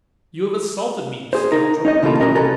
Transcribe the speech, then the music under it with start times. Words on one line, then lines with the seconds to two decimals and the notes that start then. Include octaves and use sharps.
"You have assaulted me, you scoundrel!"
1.33 G#4 C5
1.52 D#4 A#4
1.85 D#4 C#5 D#5
2.02 C#3 E3 A3 A#3 F4 A4
2.20 B1 E3 G#3 C#4 A#4 D#5
2.35 C2 C#4 A4 B4 A#5